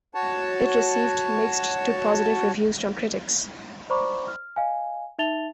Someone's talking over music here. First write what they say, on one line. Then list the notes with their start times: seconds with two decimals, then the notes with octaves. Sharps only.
It received mixed to positive reviews from critics.
0.14 F#4 C#5 A5
3.90 C5 D5 A#5 B5 C#6 D6
4.28 F6
4.56 D#5 F5 G#5
5.19 D#4 E5 A5 A6 F7 G7